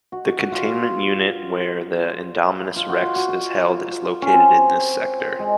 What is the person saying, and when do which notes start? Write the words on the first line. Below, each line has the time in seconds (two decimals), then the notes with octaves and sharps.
The containment unit where the "Indominus Rex" is held is located in this sector.
0.12 F#4
0.25 F#4
0.39 F#4
0.52 F4
0.65 F4
2.76 F4
2.89 F#4
3.02 F4
3.16 F#4
3.29 F4
4.22 C#4
4.34 C4
5.39 G#3